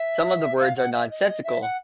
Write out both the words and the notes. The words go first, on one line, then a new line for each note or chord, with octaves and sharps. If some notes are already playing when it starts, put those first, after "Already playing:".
Some of the words are nonsensical.
Already playing: E5
F5
F#5
E5
D#5
D#5
E5
F#5